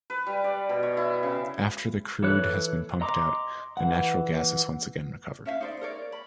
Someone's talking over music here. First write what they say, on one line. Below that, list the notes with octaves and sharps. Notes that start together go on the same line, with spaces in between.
After the crude has been pumped out, the natural gas is once again recovered.
B4
G3
D5
B2
C#5
E4
C#3
E3 A4 C#5 F#6
D#5 A#5 C6 D6
E3 F#5
C#4 E5 F5
D#4 C5 D5
A#4 C#5 D5
B5